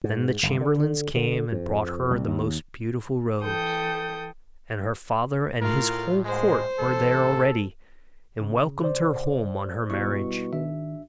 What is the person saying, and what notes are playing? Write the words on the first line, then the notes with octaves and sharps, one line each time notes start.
Then the chamberlains came and brought her the most beautiful robes; and her father and his whole court were there already, and welcomed her home on her marriage.
G#2
G1
D3
D3
F2
C2
D#2
E3 A4 G5 D#6 G6
A2 F4 A#4
G#3 C5
A1 A4
C#3
C5 D5
B2 G3 E4 C#6
G#1 D#3 D4 E5